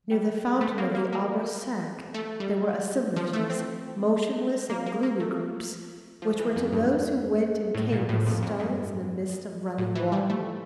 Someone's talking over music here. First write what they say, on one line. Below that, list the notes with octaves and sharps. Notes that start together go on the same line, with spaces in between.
Near the fountain of the Arbre-Sec, there were "assemblages", motionless and gloomy groups which were to those who went and came as stones in the midst of running water.
G3
A3
A#3
A#3
A#3
A3
G3
F3
A3
C4
A#3
A#3
A#3
A3
F3
E3
F2
G2
A2
A#2
A2
F2
F2
G2
A2
E3
G3
A3